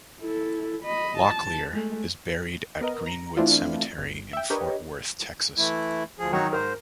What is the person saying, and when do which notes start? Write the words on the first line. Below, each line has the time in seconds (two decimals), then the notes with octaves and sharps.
Locklear is buried at Greenwood Cemetery in Fort Worth, Texas.
0.21 E4 A4
0.83 D#5 B5
1.19 A5
1.72 G#3 A3
2.81 B3 A#4 D#5
3.06 A#5
3.37 E3 A3 C4 D4 E4 F4
3.98 G1
4.33 E5 G5
4.50 D4 G4 A#4 B4 C#5 D#5
5.57 E3 A3 E4
6.19 D2 F3 G#4
6.33 D#3 F#3 D#4 F#4 C#5
6.53 G#2 A#4 C5